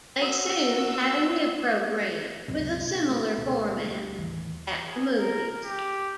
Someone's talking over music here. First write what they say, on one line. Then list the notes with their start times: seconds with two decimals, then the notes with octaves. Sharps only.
They soon had a new program with a similar format, "At the Movies".
0.18 F#4 E6
2.48 C#2 F#2 C3
2.84 B2
3.09 A3
3.38 D2 B2
3.80 D2 G3
4.18 A1 D#2 E3
4.87 G#4
5.19 A#4
5.64 G4